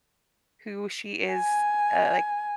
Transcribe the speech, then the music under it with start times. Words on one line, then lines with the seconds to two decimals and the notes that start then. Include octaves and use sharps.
who she is, uh, like,
1.31 G#5